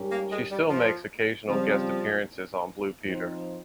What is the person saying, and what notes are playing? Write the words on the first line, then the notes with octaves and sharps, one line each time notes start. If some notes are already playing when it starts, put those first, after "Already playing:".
She still makes occasional guest appearances on "Blue Peter".
Already playing: G#2 G3 C#4 G4 A#4
A#3
G#3
G3
F3
C#3 F3 G3 C4
F3 C4 D#4